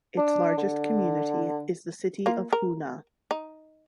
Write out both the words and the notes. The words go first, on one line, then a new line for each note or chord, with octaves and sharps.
Its largest community is the city of Hoonah.
D4
D3
A#3 F4
A#4
D#4